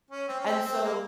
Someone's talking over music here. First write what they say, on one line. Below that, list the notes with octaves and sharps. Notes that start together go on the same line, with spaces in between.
and so,
C#4
C4
C#4
C4
C4
A#3